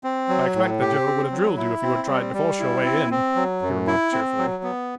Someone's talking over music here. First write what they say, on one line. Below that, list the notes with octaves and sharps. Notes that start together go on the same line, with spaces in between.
"I expect that Joe would have drilled you if you had tried to force your way in," he remarked cheerfully.
C4
F#3
A2
G4
C4
F#3
E4
C4
G3
G3
E4
C4
C4
F#3
F#2
E4
C4
F#3
B3